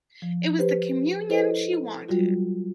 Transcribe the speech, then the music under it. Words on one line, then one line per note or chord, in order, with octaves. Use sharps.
It was the communion she wanted.
F3
G4 B4 C5
E4 A4 B4 C5 D#5
F#3 G3 F4 F#4